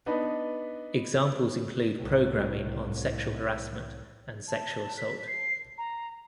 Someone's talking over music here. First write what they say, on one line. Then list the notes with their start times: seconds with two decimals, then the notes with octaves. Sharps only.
Examples include programming on sexual harassment and sexual assault.
0.06 B3 D4 D#4 B4
1.99 C2 A2
4.48 A5
4.97 B6
5.27 C7
5.78 A#5